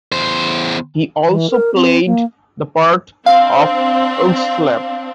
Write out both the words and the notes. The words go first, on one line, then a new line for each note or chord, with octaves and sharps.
He also played the part of Ugslap.
E2 C5
E3
A#4
C4
A#3
C4 D4 F5